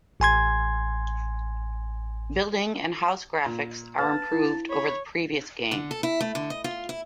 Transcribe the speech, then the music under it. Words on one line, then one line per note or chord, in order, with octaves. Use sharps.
Building and house graphics are improved over the previous game.
A1 G#5 C6 G#6
A#2
B4 F5 A5 F6
E4
C#5 B5
D3
A4
E4
A3
D3
D#5
F4
E4